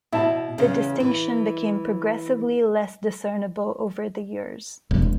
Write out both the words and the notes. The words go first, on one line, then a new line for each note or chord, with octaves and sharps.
The distinction became progressively less discernible over the years.
B2 E4 A5
E2 C#3
E3
E1